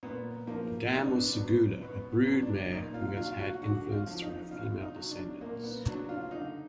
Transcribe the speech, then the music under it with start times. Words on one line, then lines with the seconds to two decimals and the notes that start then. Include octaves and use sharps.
The dam was Segula, a broodmare who has had influence through her female descendants.
0.03 A#2 B3
0.47 F3 A#3
0.92 B2 D#4
1.01 D4
1.11 B3
1.20 D4
1.37 F#3 B3
1.82 B2 B3
2.12 B3
2.27 F#3
2.42 D4
2.72 A#2 D#4
2.94 F4
3.17 F#3 F4
3.39 F#4
3.62 D3 F#4
3.91 F4
4.07 F3
4.22 D#4
4.51 B2 F4
4.81 D#4
4.96 F#3
5.11 D4
5.41 A#2 A#3
5.64 B3
5.86 F#3 D4
6.09 F4
6.31 D3 D#4